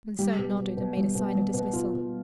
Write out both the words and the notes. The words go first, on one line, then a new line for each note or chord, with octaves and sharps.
Monceux nodded, and made a sign of dismissal.
G3 G4
B2
B2
B2
G3
B2
G3
B2
B2 F4
B2